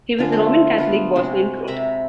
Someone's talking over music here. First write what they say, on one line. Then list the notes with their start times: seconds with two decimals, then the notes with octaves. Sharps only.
He was a Roman Catholic Bosnian Croat.
0.18 D3 F3 F4 G#4
0.32 A3 C6
0.78 B3 F4 C5
1.16 C3 G#3 F#4
1.68 C3 E5 A#5 B5